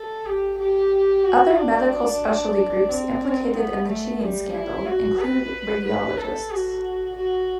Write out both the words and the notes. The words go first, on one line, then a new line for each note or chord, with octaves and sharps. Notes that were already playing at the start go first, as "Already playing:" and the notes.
Other medical specialty groups implicated in the cheating scandal include radiologists.
Already playing: A4
G4
G4
F#4
D4
C4
B3
A3
G3
E4
F#4
B4
B4
A4
F#4
F#4